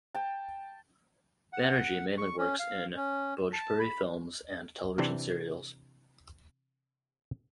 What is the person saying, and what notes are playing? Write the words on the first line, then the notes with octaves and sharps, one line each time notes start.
Banerjee mainly works in Bhojpuri films and television serials.
G5 A5
F#5
C#6
C#4
F5
C#4
A5
B5
C3 E3 C4 D4